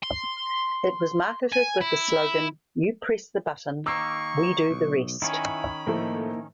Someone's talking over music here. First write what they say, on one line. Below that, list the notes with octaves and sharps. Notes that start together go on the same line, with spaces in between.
It was marketed with the slogan You press the button, we do the rest.
C6
G#5
E4
D#3 A#3 C#6 D6 E6
B1
D#3 C#4 E4 F#5 G#5 B5
A2 F3 A3 A#3 D#4 E4